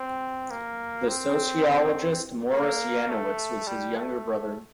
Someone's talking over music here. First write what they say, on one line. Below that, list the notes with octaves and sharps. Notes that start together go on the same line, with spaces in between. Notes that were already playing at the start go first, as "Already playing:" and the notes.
The sociologist Morris Janowitz was his younger brother.
Already playing: C4
A#3
C4
A#3
A3
G3
A3